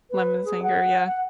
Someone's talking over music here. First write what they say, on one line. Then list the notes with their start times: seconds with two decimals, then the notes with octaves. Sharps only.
lemon zinger, yeah.
0.11 B4
0.45 G#4
0.63 F#5
1.07 F#5